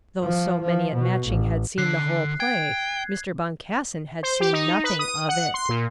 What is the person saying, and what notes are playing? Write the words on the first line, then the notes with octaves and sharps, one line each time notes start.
Though so many at Matching had seen the whole play, Mr. Boncassen had seen nothing of it.
F3
F3
B2
A1
D3 F#6 C7
G5 G#6
C5
G4
D#4
B4
D#6
F#5
C6
A#2